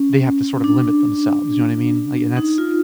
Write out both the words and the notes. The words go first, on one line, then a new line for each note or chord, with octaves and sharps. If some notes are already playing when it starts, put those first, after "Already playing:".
they have to sort of limit themselves, you know what I mean? Like, and that's
Already playing: C#4
D4
D#4
F4